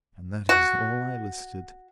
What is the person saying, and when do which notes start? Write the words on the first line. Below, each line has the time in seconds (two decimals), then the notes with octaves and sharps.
And that is all I elicited.
0.49 F#4